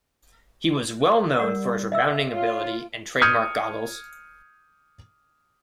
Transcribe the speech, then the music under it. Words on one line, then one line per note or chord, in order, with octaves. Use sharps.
He was well known for his rebounding ability and trademark goggles.
G3 A#4 D5 F#5
D#5 E5 E6
F4 C#5
D#6 F6 G6 G#6 C#7 D#7